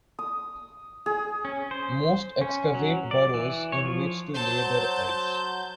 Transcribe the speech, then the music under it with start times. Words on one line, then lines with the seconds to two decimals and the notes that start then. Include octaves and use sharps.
Most excavate burrows in which to lay their eggs.
0.19 D#6
1.06 G#4
1.45 C#4
1.71 C5
2.41 C#4
2.75 F#3
3.11 D5
3.34 E3
3.72 C#5
3.85 F3
4.34 F#3 C5 A5 G6